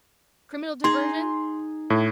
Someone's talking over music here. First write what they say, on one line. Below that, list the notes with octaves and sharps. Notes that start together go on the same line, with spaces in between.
Criminal diversion?
D#4 G#4 C6
A2